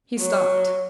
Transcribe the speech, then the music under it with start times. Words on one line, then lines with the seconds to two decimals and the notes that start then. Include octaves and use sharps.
He stopped.
0.20 F#3